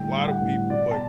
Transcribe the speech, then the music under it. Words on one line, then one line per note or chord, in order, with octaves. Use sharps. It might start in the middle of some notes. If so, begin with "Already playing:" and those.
lotta people but
Already playing: A2 D3 G3 G5
G3
F#5
A2
B2 D5
A5